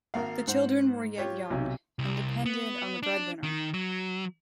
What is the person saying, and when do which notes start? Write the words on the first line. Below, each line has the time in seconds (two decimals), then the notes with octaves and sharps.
The children were yet young, and depended on the breadwinner.
0.14 G#1 A#3 F5 F#5 A#5
0.47 G#2 C5 F#5
1.18 F4 G4 C#5
1.50 B1 C3
1.99 C2
2.46 B3
3.03 D4
3.43 D#3
3.74 F#3